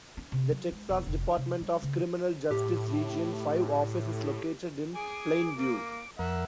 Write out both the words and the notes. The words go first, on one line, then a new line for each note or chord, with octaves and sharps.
The Texas Department of Criminal Justice Region Five office is located in Plainview.
C#4
C3
F#3
G#3
E1
F1
D#4
C3
G3
C#3
A2 G4
G#4 G#5 D6
A#3
F2 A#4 E5 F#5